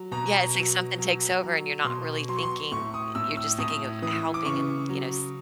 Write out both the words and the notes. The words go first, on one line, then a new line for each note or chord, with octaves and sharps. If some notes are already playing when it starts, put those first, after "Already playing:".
Yeah, it's like something takes over and you're not really thinking eh, you're just thinking of helping and, you know, s
Already playing: F#3
B2 A#5
F#3
F#3
F#3
B2 C6
F#3 C6
C#6
C6
A2 C#6
D#6
A2 E6
E6
A2 D#6
E3 D#6
D6
C#3 C#6
F#3